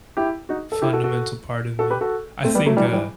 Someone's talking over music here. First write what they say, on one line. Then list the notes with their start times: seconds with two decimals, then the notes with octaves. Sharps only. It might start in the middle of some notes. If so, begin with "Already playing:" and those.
fundamental part of me. I think, uh,
0.17 E4 G4
0.49 D#4 F#4
0.72 A4
0.82 E4 G4
0.93 F#4 A4
1.04 F#4 A4
1.79 F#4 A4
1.90 G4 B4
2.01 F#4 A4
2.44 A3 C4
2.55 G3 B3
2.66 F#3 A3
2.77 E3 G3
2.85 F#3
2.93 E3 G3